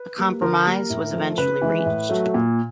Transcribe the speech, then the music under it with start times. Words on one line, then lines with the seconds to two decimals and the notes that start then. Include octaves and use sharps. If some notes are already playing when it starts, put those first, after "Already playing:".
A compromise was eventually reached.
Already playing: B4
0.18 G3 A#3
0.42 D3 A#4
0.66 G3 A#3
0.90 A2
1.13 F3 A3
1.38 C#3 B4
1.62 E3 G#3
1.86 A2
2.10 F#3 A3
2.34 A#2